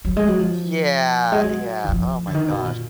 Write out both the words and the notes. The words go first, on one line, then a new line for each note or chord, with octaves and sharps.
Yeah, yeah, oh my gosh.
F#3
G#3
F#3
F3
G#3
F#3
D#3
F3
D3
D#3
B2
A#2